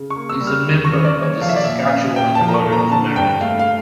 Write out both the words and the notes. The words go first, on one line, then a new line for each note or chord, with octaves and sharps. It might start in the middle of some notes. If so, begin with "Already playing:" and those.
He is a member of the Saskatchewan Order of Merit.
Already playing: C#3
C#6
A#3
E6
G3
F6
E2
C#6
C#3
D5
A#3
C#5
F3 F5
E5
D5
A#2 E5
F5
C#4
A#2 G5
A5
F3
A#5
C#6
A#2
A#5
D3 A5
G2 G5
A3 F5
F5